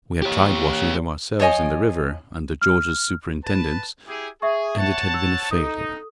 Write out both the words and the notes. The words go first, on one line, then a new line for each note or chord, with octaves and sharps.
We had tried washing them ourselves, in the river, under George's superintendence, and it had been a failure.
G4 C#5
F3 C#5 D#5 G#5
F6
B4 A5
E4 G4 G#4
G#4 E5 C#6
C#5 F#5 A5
E6
D#4 A4 D#6